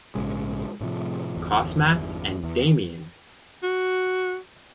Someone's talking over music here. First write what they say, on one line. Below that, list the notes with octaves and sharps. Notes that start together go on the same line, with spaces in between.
Cosmas and Damian.
A#1 G#2 C#3 G#3
A2 C3 F3
G1 E2
E2
F#4